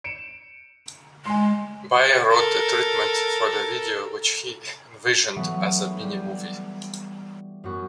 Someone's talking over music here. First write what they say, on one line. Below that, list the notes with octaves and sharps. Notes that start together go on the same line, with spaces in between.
Bayer wrote the treatment for the video, which he envisioned as a mini-movie.
C#7 D7 E7
G#3 G#5 C6
A4 A#4
E3 F#3 A3 B3
G3
F#2 B3 F#4